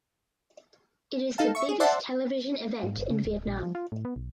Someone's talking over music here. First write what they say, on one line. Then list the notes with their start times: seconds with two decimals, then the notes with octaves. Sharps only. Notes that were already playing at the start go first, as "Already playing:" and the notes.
It is the biggest television event in Vietnam.
1.38 D#4 A4 F5 A5
1.55 E5 C#6
1.69 G#4
1.80 C5 D5 E5 F#5 A5 C6
2.83 G#2
2.97 G1
3.10 C#3
3.25 D1
3.47 A#1
3.63 F3
3.75 F4
3.92 A2
4.05 B3
4.16 B1